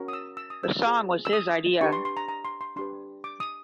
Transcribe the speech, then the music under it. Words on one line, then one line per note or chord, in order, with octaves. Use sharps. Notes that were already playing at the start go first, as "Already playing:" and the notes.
The song was his idea.
Already playing: C#4 F#4 A#4 C#5
D#6
E6
E6
D#6
E6
F4 G#4 C5
E6
D#6
D4 G4 B4 C#6
C6
C6
A#5
A#5
C6
C6
D4 G4 B4 C6
D6
D#6